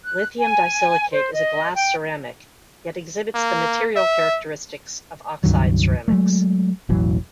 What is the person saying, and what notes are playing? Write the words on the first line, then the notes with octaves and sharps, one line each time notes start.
Lithium disilicate is a glass ceramic, yet exhibits the material characteristics of oxide ceramics.
F#6
G#5
C5
D#5
G5
A#3
E5
C#2 G2 D#3 F#3
F#3 G#3 A3
E1 A1 E3 F#3